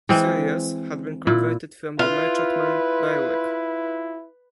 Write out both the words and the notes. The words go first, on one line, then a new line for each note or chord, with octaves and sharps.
"Sirius" had been converted from the merchantman "Berwick".
E3 G#3 C4
A#2 E4
E4 F4 B4